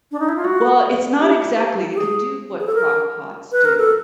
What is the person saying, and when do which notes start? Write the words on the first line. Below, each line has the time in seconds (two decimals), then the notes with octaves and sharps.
Well, it's not exactly. It can do what crock pots do,
0.12 D4
0.19 D#4
0.28 E4
0.36 F4
0.44 F#4
1.20 G4
1.93 G4
1.98 G#4
2.60 G#4
2.67 A4
2.75 A#4
3.52 B4
3.65 A#4
3.78 A4